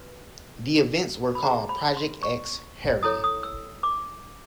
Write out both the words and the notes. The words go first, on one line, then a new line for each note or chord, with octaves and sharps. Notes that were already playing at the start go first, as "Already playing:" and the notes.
The events were called Project X Haren.
Already playing: F#4 B4
B5
D#4 G#4 C5 A#5
B5
C6
C#6
E4 A4 C#5 D#6
D#6
E6
D6